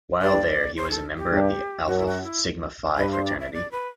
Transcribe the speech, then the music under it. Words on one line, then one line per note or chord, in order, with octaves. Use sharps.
While there, he was a member of Alpha Sigma Phi Fraternity.
G2 D5
C5
A4
G4
G2
F#2 F#4
E4
F#4
E4
G2 B4
C5
D5
E5
D5
B4